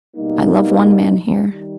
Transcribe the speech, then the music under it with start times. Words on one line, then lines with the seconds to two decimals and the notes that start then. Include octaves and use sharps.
I love one man here.
0.16 B2 G3 A#3 D#4
1.48 D#3 G3